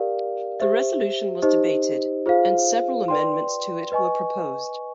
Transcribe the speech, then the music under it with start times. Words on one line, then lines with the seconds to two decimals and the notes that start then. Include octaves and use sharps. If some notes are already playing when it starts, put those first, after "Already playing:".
The resolution was debated and several amendments to it were proposed.
Already playing: G4 A#4 D5 F5
0.60 G4 C5 E5
1.42 D#4 G4 C5 D#5
2.26 F4 G#4 C5 F5
3.08 B4 D5 G5 C6
3.92 B4 D#5 G#5 C#6